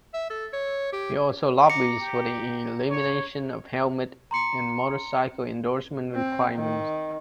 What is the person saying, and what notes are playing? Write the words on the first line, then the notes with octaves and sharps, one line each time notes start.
He also lobbies for the elimination of helmet and motorcycle endorsement requirements.
E5
A4
C#5
G4
A#5 D6 A#6 C#7
G4
C#5
A#5 C6 C#7
C4
D#3